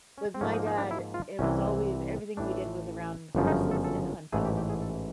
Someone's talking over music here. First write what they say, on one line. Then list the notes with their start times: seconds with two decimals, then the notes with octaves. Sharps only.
With my dad, it was always everything we did was around horses and hunting,
0.18 C#4
0.34 C4
0.41 G#2 F3 A#3 C#4
0.54 D#4
0.66 D#4
0.78 D4
0.91 E4
1.14 F4
1.39 C2 C3 E3 C#4
2.37 A1 A2 E3 A3 D4
3.35 G1 F#2 C#3 F3
3.47 D#4
3.71 A4
3.84 A4
4.32 A1 G#2 E3 A3 G#4
4.45 G4
4.57 G4
4.69 G#4
4.82 A4